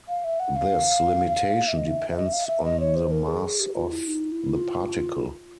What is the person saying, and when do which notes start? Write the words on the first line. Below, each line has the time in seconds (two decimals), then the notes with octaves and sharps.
This limitation depends on the mass of the particle.
0.09 F5
0.24 E5
0.40 F#5
0.56 F5
1.68 E5
1.77 D#5
1.87 E5
2.10 E5
2.17 D#5
2.27 E5
2.33 F5
2.47 E5
2.64 D#5
2.80 C#5
2.96 C5
3.11 A#4
3.27 G#4
3.40 A4
3.44 G#4
3.60 G4
3.75 F4
3.92 E4
4.07 D#4
4.32 E4
4.56 F4